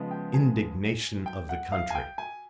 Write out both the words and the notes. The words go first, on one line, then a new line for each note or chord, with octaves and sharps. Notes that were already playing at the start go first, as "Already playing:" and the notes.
Indignation of the country....
Already playing: C#3 F3 G#3 B3
G5
G#5
G5
F#5
F5
G#5
G5
G#5